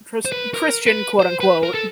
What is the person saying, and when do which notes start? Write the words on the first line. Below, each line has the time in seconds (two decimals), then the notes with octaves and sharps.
Chris Christian, quote unquote.
0.25 C5
0.32 B4
0.54 A#4
0.87 B4
1.20 C5
1.40 B4
1.63 A#4
1.74 A4